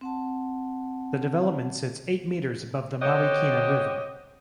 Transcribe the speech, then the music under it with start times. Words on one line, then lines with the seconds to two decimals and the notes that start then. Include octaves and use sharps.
The development sits eight meters above the Marikina River.
0.01 C4 F#5 A5
3.02 C4 F#4 G4 C#5 D#5